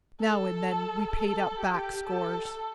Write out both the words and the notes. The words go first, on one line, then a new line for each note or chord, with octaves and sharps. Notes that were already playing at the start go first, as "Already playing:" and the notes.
Now and then we paid up back scores.
A4
A4
G4
A4